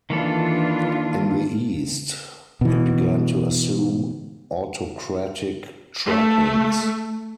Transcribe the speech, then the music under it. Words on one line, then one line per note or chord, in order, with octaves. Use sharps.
In the East, it began to assume autocratic trappings.
D#3 E3 A#3 D4 F4 A4
B2 E3
A3